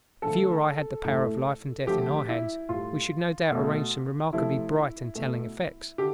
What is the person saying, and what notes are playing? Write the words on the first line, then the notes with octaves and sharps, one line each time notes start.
If you or I had the power of life and death in our hands, we should no doubt arrange some remarkably bright and telling effects.
D3 F3 A3 A4
A2 E3 A3
D3 F3 A3 G4
E4
A2 G3 F4
B2 A3
C3 F3 A3 E4
B2 A3
D3 G4